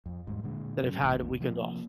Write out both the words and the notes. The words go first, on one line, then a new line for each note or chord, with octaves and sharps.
that I've had a weekend off.
F2
D#2 G#2 G3
A#2 D3 G#3
F#2 C#3
E1 A1 D#2 C3
C3 F3 A#3